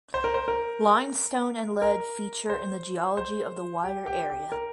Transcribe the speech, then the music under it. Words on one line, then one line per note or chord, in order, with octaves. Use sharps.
Limestone and lead feature in the geology of the wider area.
C5
A#4
C5
A#4
A#4
C5
C5
G4
G4
G4
A#4